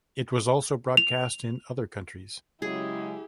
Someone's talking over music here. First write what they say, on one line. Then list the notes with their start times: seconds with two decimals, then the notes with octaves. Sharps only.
It was also broadcast in other countries.
0.97 F7
2.62 C#3 F#3 G#3 E4 G4 G#4